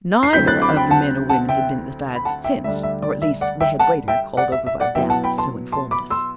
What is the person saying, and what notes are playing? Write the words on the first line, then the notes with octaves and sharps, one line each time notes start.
Neither of the men or women had been at the Fads since, or at least the head waiter, called over by Belle, so informed us.
C7
D2 D3 F#3 C4 E4 G6 B6
F#6 A6
B5 D6
G5 B5
F#5 A5
F#5 A5
E5 G5
B5
F#5 A5
E5 G5
D2 D3 G3 D4 E5
E5
D5
E5
D5 F#5
E5 G5
F#5 A5
E5 G5
D5 F#5
E5
E5
D5 F#5
B2 F#3 B3 E4 E5 G5
F#5 A5
G5 B5
A5 C6
A5 C6
B5 D6
C6 E6